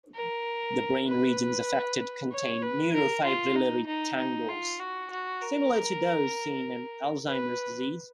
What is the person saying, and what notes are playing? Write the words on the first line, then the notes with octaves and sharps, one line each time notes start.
The brain regions affected contain neurofibrillary tangles, similar to those seen in Alzheimer's disease.
A#4
B4
C#5
B4
A#4
F4
D#4
D#4
D#4
F4
F#4
F#4
A#4
B4